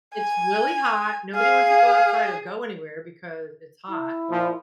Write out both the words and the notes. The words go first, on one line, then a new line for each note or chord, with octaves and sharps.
It's really hot, nobody wants to go outside or go anywhere because it's hot,
G#5
G#4 F5
E4
A#2 F3